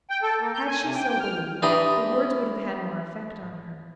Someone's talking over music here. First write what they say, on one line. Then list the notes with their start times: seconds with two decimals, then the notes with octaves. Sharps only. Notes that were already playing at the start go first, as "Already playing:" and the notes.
Had she so believed, the words would have had more effect on her.
0.10 G5
0.22 A4
0.40 A#3
0.54 G6
0.68 G#5
0.83 C3
0.95 G5
1.09 G5
1.21 F6
1.62 E3 D4 G4 A#5 C6 D#6